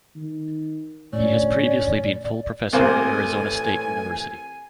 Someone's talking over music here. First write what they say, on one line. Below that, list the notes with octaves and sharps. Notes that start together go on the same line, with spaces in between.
He has previously been full professor at Arizona State University.
D#3
D2 A2 C#4 D5
C2 A2 E3 A3 A#3 C5 G#5